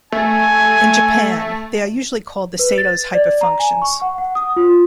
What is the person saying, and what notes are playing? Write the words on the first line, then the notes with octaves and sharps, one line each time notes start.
In Japan, they are usually called the Sato's hyperfunctions.
A3 G#5
B4
A6
D5
A#5
G#5
C#6
F#5
F#5
D#6
F4